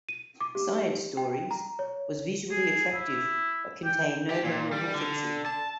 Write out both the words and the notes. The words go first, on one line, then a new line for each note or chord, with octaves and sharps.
"Science Stories" was visually attractive but contained no memorable fiction.
D#7
D6
G4
G5
A#5
C#5
G#4
E4
G5
G4
A#2
G3
D3
A5